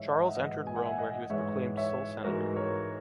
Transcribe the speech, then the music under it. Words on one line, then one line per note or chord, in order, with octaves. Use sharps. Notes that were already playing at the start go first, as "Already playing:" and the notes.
Charles entered Rome where he was proclaimed sole senator.
Already playing: G#2 E3 G#3 C#5 D#5 E5
D#5 F#5
E5
G#2 E3 G#3 D#5 F#5
G#5
F#5
E5 G#5
D#5 F#5
G#2 E3 G#3 C#5 E5
C#5 E5
G#2 E3 G#3 F#4 A#4
A#4 C#5